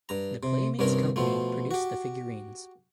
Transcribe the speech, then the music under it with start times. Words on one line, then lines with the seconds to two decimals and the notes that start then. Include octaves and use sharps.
The Playmates company produced the figurines.
0.09 G2 A#5
0.43 C3
0.79 C2 G2 D#3 C#4 A#4
1.16 B2 F3 A3
1.71 F#4 G4